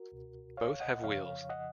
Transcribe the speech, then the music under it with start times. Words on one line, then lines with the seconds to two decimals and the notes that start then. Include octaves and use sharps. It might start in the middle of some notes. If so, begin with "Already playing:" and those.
Both have wheels.
Already playing: F#4 A#4
0.12 C#2 B2
0.57 C#5 F5
0.80 D#5 F#5
1.03 F2 C#3 F3 C#5 F5
1.49 D#5 F#5